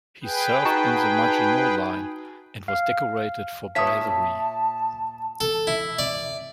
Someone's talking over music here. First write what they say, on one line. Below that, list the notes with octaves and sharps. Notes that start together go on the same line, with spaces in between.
He served in the Maginot Line and was decorated for bravery.
G#4 B4 G5
D#4 F#4 A5
F5
A#2 C#5 E5 A5 D#6 B6
A4
E4
D5